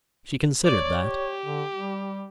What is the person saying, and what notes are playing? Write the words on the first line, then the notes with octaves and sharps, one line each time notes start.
She considered that.
C#5 D5
G4
D3
G3